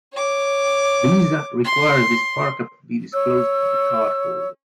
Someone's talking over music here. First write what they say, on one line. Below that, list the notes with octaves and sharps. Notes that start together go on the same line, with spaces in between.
Visa requires this markup be disclosed to the cardholder.
C#5 D6
C6
C#5 E6